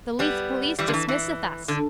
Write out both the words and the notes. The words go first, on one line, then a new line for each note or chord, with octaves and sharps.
The Leith police dismisseth us.
G3 B3
E3 G3
D3
E3
E3
D3